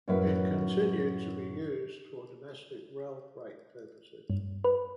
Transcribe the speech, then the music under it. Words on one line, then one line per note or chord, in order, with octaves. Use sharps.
It continued to be used for domestic railfreight purposes.
F#2 A2 F#3 A#4 B4 E5
G2
B4